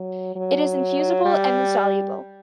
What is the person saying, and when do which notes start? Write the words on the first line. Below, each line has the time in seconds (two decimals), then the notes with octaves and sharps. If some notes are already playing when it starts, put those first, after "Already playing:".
It is infusible and insoluble.
Already playing: F#3
0.36 F#3
1.25 G3